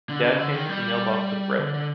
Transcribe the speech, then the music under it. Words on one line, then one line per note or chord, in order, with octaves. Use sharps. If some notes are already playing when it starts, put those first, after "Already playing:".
Dad painted the mailbox with red.
D3
D3
C#3
D3
D#3
G3
D3
D3